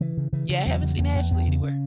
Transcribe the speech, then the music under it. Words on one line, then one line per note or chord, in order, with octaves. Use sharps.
Yeah, I haven't seen Ashley anywhere.
C#3 E3
C#3
C#3 E3
C#3
E2 F#3
C#3
E2 A#3
E2
E2 B3
C#3
C#4